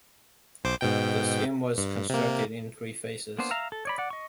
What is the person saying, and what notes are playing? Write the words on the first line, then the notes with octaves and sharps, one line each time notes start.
The scheme was constructed in three phases.
B1 C5 D6
G#2 B2 G5
G2
C3 A#3
A#3 B3 D4 C5
E5 F5 A#5
A4
C#5 D5 B5
D5 F#5
D#5 C#6